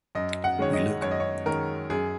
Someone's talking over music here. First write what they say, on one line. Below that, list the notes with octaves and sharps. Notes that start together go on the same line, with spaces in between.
We look.
F#2 D#5
F#5
D#3 G#3 C#4 C#5
D#5
F#2 C#5
D#5
C#5
D#3 G#3 C#4 A#4
F#2 G#4